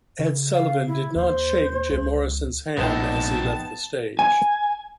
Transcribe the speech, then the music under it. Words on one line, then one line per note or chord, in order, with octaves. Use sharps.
Ed Sullivan did not shake Jim Morrison's hand as he left the stage.
C#3
F5
E4
D#2 C5
C#2
A#1 A2 C3 G#3 B3 D#4 G5 A5
G#5